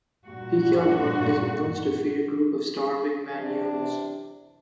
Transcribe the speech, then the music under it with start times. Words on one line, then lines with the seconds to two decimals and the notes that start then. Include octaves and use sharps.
He killed one of his mules to feed a group of starving Vanyumes.
0.25 G2 A#2 F#4
3.29 F#2 C3 E3 D4